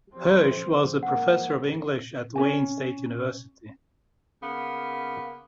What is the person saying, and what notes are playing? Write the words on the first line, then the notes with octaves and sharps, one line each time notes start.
Hirsch was a professor of English at Wayne State University.
F3 C4
G#2 A#3 F#5
C#4 F#4 G#5
C#3 A#3 B3